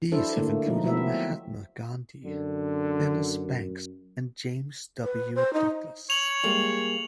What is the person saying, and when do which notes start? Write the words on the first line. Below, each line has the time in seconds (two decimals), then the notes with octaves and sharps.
These have included Mahatma Gandhi, Dennis Banks and James W. Douglass.
0.12 F#3 D4 E4 A4 C5
0.36 D3 A3 A#3
0.66 F3 G#3 D#4
0.84 F#3 A3 B3 E4 E5
0.97 C4
2.25 F#2 D3
5.03 B4
5.35 C5
5.53 D#4
6.10 C#5 F7 F#7
6.43 G3 G#3 A#3